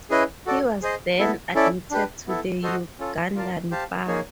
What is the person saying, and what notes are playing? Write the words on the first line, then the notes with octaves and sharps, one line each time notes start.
He was then admitted to the Ugandan Bar.
C#4 E4 G#4 B4 D#5
F#4 A4 D5
G#4 C5 D#5
B3 E4 A4
C#4 E4 A4 D5
D4 G4 B4
B3 E4 A4
F#4 A4 C5 D#5 F#5
C#4 F4 A4
F4 A#4 D5 F5 A5
G4 C5 F5 A5
A#3 D#4 G#4 C#5